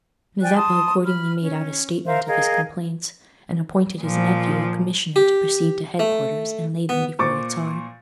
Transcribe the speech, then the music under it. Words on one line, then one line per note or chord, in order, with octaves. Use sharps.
Mazeppa accordingly made out a statement of his complaints, and appointed his nephew a commissioner to proceed to head-quarters and lay them before the Czar.
D5 G5 G#5 F#6
A5 C6 D#6
B5 F6
C#4
A#4 C5 E5 F5
G#4 A#4 D#5 F5
A#2 F3
G4
A3
B3
A#2 C5 C#6 D6 A6